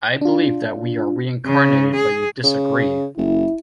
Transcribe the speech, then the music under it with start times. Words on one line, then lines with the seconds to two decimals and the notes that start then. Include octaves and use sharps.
I believe that we are reincarnated but you disagree.
0.21 D4 F4
1.46 C#3
1.95 G#4
2.44 C#3
3.17 F#1 E4